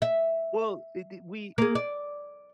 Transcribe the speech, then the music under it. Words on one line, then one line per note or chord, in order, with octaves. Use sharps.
Well, d d we
E5
A#3 G#4
D5